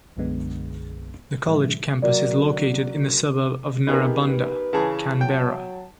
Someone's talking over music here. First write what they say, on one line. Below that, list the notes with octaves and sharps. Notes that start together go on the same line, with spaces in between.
The college campus is located in the suburb of Narrabundah, Canberra.
B1 F#2 B2 D3 G#3 B3
A2 E3 G3 A3 E4
F#3 A#3 F#4 D5
B3 D#4 G4 G#4 A#4
B4
C#3 E3 G#4 A5
F#3 G5